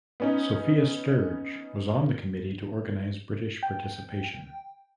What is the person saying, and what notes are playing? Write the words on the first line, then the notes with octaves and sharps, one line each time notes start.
Sophia Sturge was on the Committee to organize British participation.
B3 C#4 D#4
G5